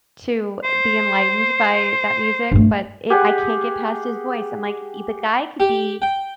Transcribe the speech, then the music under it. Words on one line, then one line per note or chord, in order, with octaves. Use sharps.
to be enlightened by that music, but it I can't get past his voice. I'm, like, "The guy could be
C5
G2 A3
G4 G#4 F#5 G#5
G4
G5